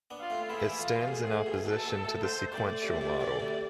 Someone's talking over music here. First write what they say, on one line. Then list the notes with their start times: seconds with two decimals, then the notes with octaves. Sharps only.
It stands in opposition to the sequential model.
0.10 B3 D4
0.21 F4
0.30 A3 C4
0.49 G#3 B3 E4
0.64 A3
0.69 E3 G#3
0.78 F4
0.88 G#2 B2
1.08 A2 G#4
1.27 A2
1.46 G#2 B2
1.65 G#2 B2 A4
1.85 G#2 B2
2.05 A2
2.24 G#2 C5
2.53 A2 D5
2.82 A2 C3
3.01 A2 C3
3.20 B2 D3
3.40 A2 C3